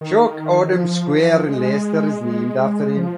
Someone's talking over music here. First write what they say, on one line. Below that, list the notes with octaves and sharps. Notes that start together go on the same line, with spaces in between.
Shaykh Adam Square in Leicester is named after him.
D#3
F3
G#3
G#3
F3